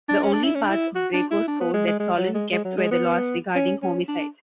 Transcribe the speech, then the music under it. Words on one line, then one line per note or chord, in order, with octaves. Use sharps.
The only parts of Draco's code that Solon kept were the laws regarding homicide.
D4
C#4
D4
E4
C#4
D4
E4
F#4
D4
E4
D4
B3
G#3
G#3
G#3
F#3
G#3
G#3
F#3
G#3
B3
C#4
C#4
D4